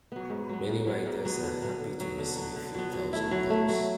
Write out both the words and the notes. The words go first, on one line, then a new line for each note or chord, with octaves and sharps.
Many writers are happy to receive a few thousand dollars.
F#3 B3
G#2
F#3 B3
G#2
F#3 B3
G#2
F#3 B3
D3
F#3 B3
D3
F#3 B3
D3
F#3 B3
D3
F#3 B3
F#3
A3 E4
F#3
A3 E4
F#3